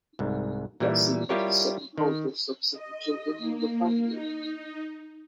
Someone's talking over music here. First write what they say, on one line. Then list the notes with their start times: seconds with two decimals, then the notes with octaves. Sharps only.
Bessie was the second oldest of seven children in the family.
0.19 C2 G#2
0.80 A#2 E3 G3 E4
1.29 G3 E4 F4 G4 A#4 C#5
1.98 D#3
2.73 D#5
3.38 A#3
4.09 D#4